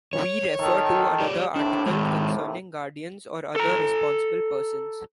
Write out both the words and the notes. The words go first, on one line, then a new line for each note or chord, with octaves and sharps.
We refer to another article concerning guardians or other responsible persons.
C#5
D#3 A4
G4 C#5 D5
D#2 A2 C3 D4
D#3 G#3
A4 A#5